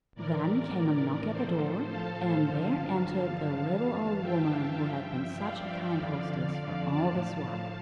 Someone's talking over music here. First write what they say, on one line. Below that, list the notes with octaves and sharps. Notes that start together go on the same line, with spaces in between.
Then came a knock at the door, and there entered the little old woman, who had been such a kind hostess for all this while.
A2 E3 A#4 D5
A2 F3 A4 C5
F5 A5
G2 D3 F3
F5 A5
G2 E3
E5 G5
G2 F3
D5 F5
F2 D3 F3
D5 F5
F5 A5
A2 F3